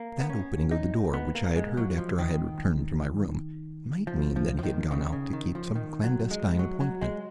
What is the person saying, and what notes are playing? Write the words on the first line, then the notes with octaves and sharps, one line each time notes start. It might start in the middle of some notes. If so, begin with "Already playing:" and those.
That opening of the door which I had heard after I had returned to my room might mean that he had gone out to keep some clandestine appointment.
Already playing: A#3
B3
C#4
D#4
B3
A#3
G#3
F#3
F3
D#3
F3
F3
F3
D#3
C#3
C#3
D#3
F3
D#3
F#3
G#3
F#3
F#3
G#3